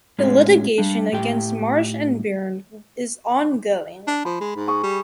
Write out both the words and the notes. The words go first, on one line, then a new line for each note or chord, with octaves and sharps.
The litigation against Marsh and Byrne is ongoing.
A2 G#3 C#4
G3 D4
A2 G4 G5
D4
F3 B5
G#3
G#2
G#4 C#6
G3